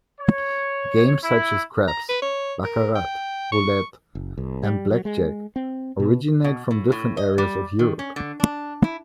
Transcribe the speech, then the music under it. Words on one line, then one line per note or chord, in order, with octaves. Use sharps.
Games such as craps, baccarat, roulette, and blackjack originate from different areas of Europe.
C#5
E4
A#5
B4
C#5
A#4
G5
C#6
F#1
C2
G3
F#3
G#3
C4
B2
B2
A2
A2
D#5
G3
D#3
C#4
D3
D4
E4